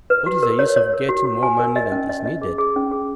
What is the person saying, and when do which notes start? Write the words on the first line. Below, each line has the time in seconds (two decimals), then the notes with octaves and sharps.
What is the use of getting more money than is needed?
0.10 B4
0.26 F#4
0.43 A#4
0.59 C#5
0.76 C#5
0.93 A#4
1.09 F#4
1.25 F#4
1.43 G#5
1.59 A#4
1.76 D#5
1.92 C#4
2.09 D#5
2.26 D#5
2.42 G#4
2.58 G#4
2.76 C#4
2.91 G#4